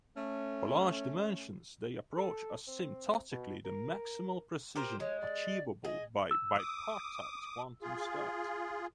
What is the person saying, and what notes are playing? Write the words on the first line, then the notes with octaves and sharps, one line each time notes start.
For large dimensions they approach asymptotically the maximal precision achievable by bipartite quantum states.
A3 C#4
A4
C4
B2
A#4
G4 A#4 C5
G#3 C#5
D5
G#4 D#5
E6
D6 D#6
F4 G#4